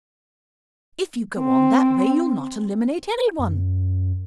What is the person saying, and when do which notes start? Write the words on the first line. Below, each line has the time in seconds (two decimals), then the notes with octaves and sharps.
"If you go on that way you'll not eliminate anyone."
1.39 C4
3.39 F#2